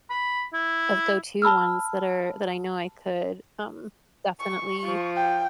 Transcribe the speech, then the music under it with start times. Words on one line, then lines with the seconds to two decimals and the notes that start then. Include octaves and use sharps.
of go-to ones that are that I know I could, um, definitely
0.10 B5
0.54 E4
1.42 A5 B5 E6 F6
4.40 C#6
4.85 F3
5.16 G5